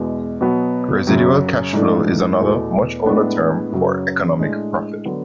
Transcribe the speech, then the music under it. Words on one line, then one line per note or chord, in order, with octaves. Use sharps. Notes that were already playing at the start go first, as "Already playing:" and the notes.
Residual cash flow is another, much older term for economic profit.
Already playing: E2 B2 G#3
B2 F#3 B3
F#2 C#3 F#3
G#2 E3 A3 D4
E2 B2 A3
A2 G#3 B3 D4
F#2 C#3 F#3
A2 G#3 D4
D3 F#3 B3